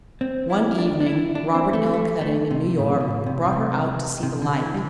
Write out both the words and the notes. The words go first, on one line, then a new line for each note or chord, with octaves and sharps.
One evening, Robert L. Cutting, of New York, brought her out to see the light.
C4
E4
D4
D4
E4
D4
C4
A3
A3
A3
C3
A2
B2
A2
C3
C3
C3
D3
E3
G3